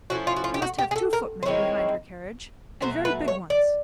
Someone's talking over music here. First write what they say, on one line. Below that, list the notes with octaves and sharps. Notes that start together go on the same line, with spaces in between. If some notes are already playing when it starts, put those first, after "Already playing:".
She must have two footmen behind her carriage, and very big ones.
F3 A3 C#4 E4 F#4
F4
F#4
F4
G4
F#4
G4
G#4
A4
A#4
C5
D#3 G#3 C4 E4 C#5
B2 F#3 A3 C5
B4
C#5
D5